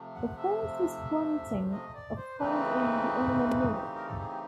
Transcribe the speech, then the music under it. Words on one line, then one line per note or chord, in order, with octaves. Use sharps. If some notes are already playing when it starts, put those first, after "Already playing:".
The first was fronting of found in the Inland North.
Already playing: C3 F3 A3
F#5
E5
D#5
D5
C5
C#3 E3 A3 C4 D#4 B4
G4
A#4
A4
G#4
G4